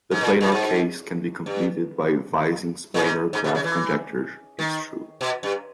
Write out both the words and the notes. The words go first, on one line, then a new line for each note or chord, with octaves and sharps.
The planar case can be completed if Vizing's planar graph conjecture is true.
G#2
A#2
A#2
G#2
G2
A#2
G#2
G#2
B2
C#3
E3
D#3
B2
G2